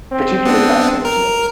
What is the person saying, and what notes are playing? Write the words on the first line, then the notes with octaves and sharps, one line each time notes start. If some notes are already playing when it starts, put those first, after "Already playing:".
particularly fascinating to me.
C4
B3 D4
A#4